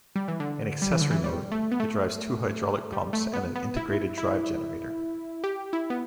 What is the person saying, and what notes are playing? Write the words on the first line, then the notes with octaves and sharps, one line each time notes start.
In accessory mode, it drives two hydraulic pumps and an integrated drive generator.
G3
E3
D3
G3
E3
D3
E3
G3
A3
B3
A3
G3
A3
B3
B3
E4
E4
G4
E4
B3